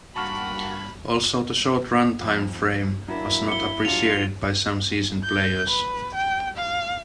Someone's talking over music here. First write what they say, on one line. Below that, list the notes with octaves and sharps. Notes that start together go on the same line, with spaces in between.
Also the short run time frame was not appreciated by some seasoned players.
G2 A#3 F#4 A5 B5 C#6 F6
F2
F#3 A#3 D4 E4
C#7 G7
F#3 D4 F4 G4 F7
G6
B4
G5
F5